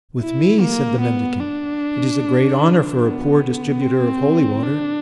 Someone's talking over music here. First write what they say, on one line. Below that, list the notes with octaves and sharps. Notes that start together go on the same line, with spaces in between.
"With me!" said the mendicant; "it is a great honor for a poor distributor of holy water."
E4
A#3
B3
D4
B3
C4
D4